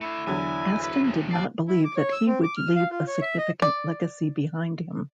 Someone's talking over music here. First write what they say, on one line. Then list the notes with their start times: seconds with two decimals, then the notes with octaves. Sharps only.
Aston did not believe that he would leave a significant legacy behind him.
0.01 A3 D4 E4
0.27 E2 D3 F#3 G#5
0.84 C2 B4
1.04 C3 F3
1.31 D#2 D5 A5 C7
1.68 E4
1.85 D6
1.96 C#5
2.12 E6
2.26 C4
2.43 D6
2.57 F6
2.76 F5
2.91 F4
3.07 C#5
3.22 E5
3.38 D#5
3.62 D5